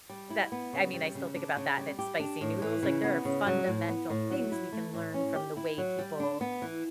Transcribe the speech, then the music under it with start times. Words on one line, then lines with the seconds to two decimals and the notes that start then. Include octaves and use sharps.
that I mean, I still think about that, and it's spicy noodles. Like, there are fundamental things we can learn from the way people
0.10 G3
0.30 E4
0.52 B3
0.73 C#3
0.94 G3
1.15 C#3
1.36 D4
1.57 C#3
1.78 G3
1.99 G4
2.20 D4
2.41 A2
2.62 E3
2.83 C#3
3.04 B3
3.25 C#3
3.47 F#3
3.67 A2
3.88 B3
4.10 A2
4.30 F#3
4.52 E4
4.73 A3
4.94 A2
5.14 C#4
5.35 G4
5.57 E4
5.78 F#3
5.99 G3
6.20 D4
6.41 B3
6.62 E3